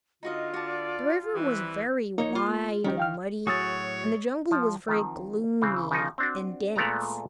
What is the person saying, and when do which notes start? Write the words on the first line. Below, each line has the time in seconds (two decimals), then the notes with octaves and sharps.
The river was very wide and muddy, and the jungle was very gloomy and dense.
0.23 D3 D#4 F4 F#4 D#5
0.54 F#4 D5 A5
1.35 E3 G3 C4 B4
2.18 A#3 D#4 C#5
2.35 F4
2.84 D#3 G3 C#4 G4
2.97 F5 G5 F6
3.47 A2 F#3 F#4 G#4 C#5 D#6 E6 A6
4.51 F3
4.88 D#3 F3 C4
5.62 C#3 E3 C4
5.91 C#3 F3 D#4
6.18 C4 D4 F#4
6.76 A#2 G#3 A3 B3 D5 A#5